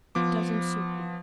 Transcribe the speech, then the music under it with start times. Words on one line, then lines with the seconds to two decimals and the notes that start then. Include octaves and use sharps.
It doesn't suit me.
0.15 F3 B3 D6